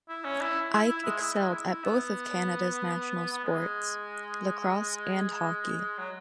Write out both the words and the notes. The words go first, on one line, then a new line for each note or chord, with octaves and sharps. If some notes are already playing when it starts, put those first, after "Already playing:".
Ike excelled at both of Canada's national sports, lacrosse and hockey.
E4
C#4
E4
E4
E4
G#3
E4
G#3
E4
B3
B3
G#3
F#3